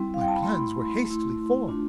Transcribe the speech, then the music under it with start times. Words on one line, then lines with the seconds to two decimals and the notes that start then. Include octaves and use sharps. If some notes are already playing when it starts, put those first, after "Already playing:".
My plans were hastily formed.
Already playing: G3 C4 E4 C6
0.14 F5
0.21 G5
0.28 A5
0.36 B5
0.43 A3 E4 C6
1.05 A3
1.10 E4
1.68 A3 D4 F4